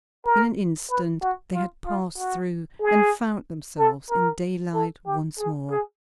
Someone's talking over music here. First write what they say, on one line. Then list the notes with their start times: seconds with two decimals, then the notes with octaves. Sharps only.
In an instant they had passed through, and found themselves in daylight once more.
0.26 A#4
0.90 B4
1.22 F#4
1.54 F4
1.86 F4
2.18 F#4
2.82 G#4
3.78 A4
4.10 A#4
4.74 A4
5.06 G4
5.38 G#4
5.71 G#4